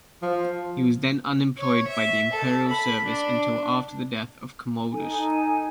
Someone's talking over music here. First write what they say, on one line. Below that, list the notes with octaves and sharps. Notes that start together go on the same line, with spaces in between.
He then was unemployed by the imperial service until after the death of Commodus.
F3
C#5
E5
A4
B5
D4
D#4 A4 G#5